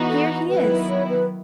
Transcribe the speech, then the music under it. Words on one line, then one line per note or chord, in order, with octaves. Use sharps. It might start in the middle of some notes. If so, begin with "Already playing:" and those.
Here he is.
Already playing: E3 B3 D#4 F#4
A4
D#3 F#3 B3 E4 B4
C#5
B4